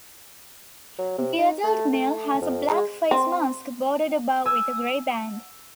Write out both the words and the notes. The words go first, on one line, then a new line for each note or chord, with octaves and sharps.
The adult male has a black facemask, bordered above with a gray band.
F#3
C3
D#4
A3
A3
F2
G#3
C4
G#5 E6